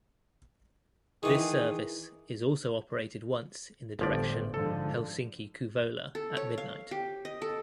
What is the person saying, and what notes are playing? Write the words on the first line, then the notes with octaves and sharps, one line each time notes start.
This service is also operated once in the direction Helsinki–Kouvola at midnight.
D#3 E3 G#4
G1 A2 F3 D5
G#2 D3 F3 A4
A4
C#5
F5
G4
D#5
A4